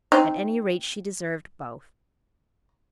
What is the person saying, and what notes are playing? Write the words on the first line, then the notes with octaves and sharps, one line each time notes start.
At any rate she deserved both.
C4 D#4